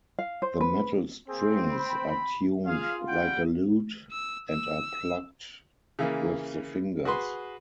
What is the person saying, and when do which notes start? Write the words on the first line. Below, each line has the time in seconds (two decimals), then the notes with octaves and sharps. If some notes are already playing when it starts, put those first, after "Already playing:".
The metal strings are tuned like a lute and are plucked with the fingers.
0.19 F5
0.42 C5
0.61 B4
1.28 A#3 C4 G#4
1.71 B5
2.66 F4 G#4 F5
3.07 G3 F#5 G5
4.12 E6
4.49 E6
5.99 C#3 E3 A#3
7.05 F#4 G#4 B4 C6